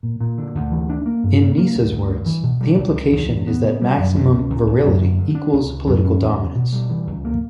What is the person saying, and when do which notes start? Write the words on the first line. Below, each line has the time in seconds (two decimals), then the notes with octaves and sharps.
In Niessa's words, The implication is that maximum virility equals political dominance.
0.03 A#2
0.20 A#2
0.38 D3
0.55 D2
0.72 E3
0.89 D4
1.06 A#3
1.24 G2
1.41 A#3
1.58 A#3
1.75 D2
1.93 D2
2.09 G2
2.26 E3
2.43 B2
2.61 G3
2.78 C#2
2.96 C#2
3.12 E2
3.30 C#3
3.47 B3
3.64 C#3
3.81 G3
3.98 F#2
4.16 C#2
4.32 C#4
4.50 C#2
4.66 C#2
4.85 F#2
5.02 D3
5.18 G2
5.35 D4
5.53 C#2
5.70 C#3
5.87 F#2
6.05 C#4
6.21 E2
6.39 C#3
6.55 B2
6.72 G3
6.90 E3
7.07 C#2
7.25 A#3